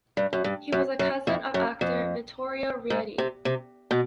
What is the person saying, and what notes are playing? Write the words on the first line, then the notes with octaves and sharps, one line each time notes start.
He was a cousin of actor Vittorio Rietti.
G2
F#2
G2
F#2
F#2
F2
F#2
F2
G#2
C3
C3
B2